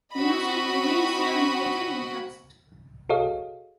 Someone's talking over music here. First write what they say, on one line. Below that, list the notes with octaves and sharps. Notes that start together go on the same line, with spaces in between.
Music remains a major interest.
C4 F#4 D#5 B5
F#4 G#4 A4 C#5 D#5 F5